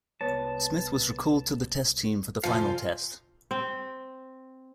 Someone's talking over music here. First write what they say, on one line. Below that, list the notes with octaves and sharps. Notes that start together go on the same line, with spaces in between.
Smith was recalled to the test team for the final test.
C2 B3 C#5 A5
F2 C3 F3 F5 G#5 C6
C4